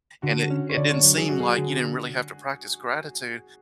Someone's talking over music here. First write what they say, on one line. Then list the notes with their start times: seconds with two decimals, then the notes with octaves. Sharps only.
And it it didn't seem like you didn't really have to practice gratitude
0.22 D3 F#4
0.50 C#4
0.69 C#5
0.77 D3 D5
0.90 C#5
1.04 F#3
1.17 G#4
1.29 F#3 F#4
1.40 G#4
1.58 D3